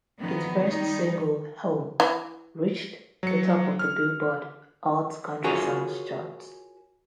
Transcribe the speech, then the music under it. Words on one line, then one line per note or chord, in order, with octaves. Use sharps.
Its first single, "Home", reached the top of the "Billboard" Hot Country Songs charts.
D#3 F3 B3
D#3 G3 D#4
E3
F#3 C#7
F6
F4 F#4 G#4 A#4 C#5